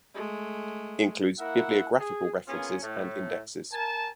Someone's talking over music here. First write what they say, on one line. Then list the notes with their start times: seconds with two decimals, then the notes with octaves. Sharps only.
Includes bibliographical references and indexes.
0.14 G#3 A3
1.39 A#3 E4 A#4 E5 F#5
1.99 G#4
2.47 A#3 B3 C#4 F4 G#4
2.83 A2 A3
3.72 A#4 G#5 A5